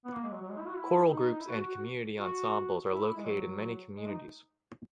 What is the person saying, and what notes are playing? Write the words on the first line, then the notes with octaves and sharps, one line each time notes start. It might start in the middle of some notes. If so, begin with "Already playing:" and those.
Choral groups and community ensembles are located in many communities.
B3
A#3
G#3
F#3
F#3
G#3
E4
F#4
E4
D#4
D#4
E4
F#4
F#4
F#4
F#4
E4
G#3
F#3
G#3
D#4